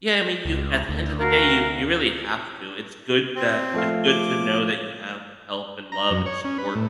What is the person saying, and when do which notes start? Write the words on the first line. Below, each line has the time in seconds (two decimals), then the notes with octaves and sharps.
Yeah, I mean, you at the end of the day, you you really have to, it's good that it's good to know that you have help and love and support,
0.45 C#2
0.89 D2
1.18 F#4 A#4 F5
3.35 C4
3.74 F3 A3 F5
4.08 D6
5.92 A#5
6.10 F#2
6.26 C#5
6.45 C#4
6.58 B4
6.75 A2